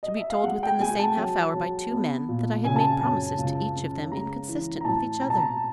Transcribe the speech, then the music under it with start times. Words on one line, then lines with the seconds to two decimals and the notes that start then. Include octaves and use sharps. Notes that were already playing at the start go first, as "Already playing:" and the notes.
"To be told within the same half-hour by two men that I had made promises to each of them inconsistent with each other!"
0.03 D#5
0.17 E5
0.30 F5
0.44 G#3 F#5
0.63 G5
0.80 G#3 G#5
0.99 A5
1.17 F#3
1.54 F#3
1.91 B3
2.28 A#2
2.64 C#3 G#5
2.76 A5
2.86 G#5
3.01 F#2 A5
3.38 C#2
3.75 C#3
4.12 G#3 A#5
4.48 E3
4.81 A#5
4.85 A2 A5
5.21 B1 A#5
5.30 A5
5.40 A#5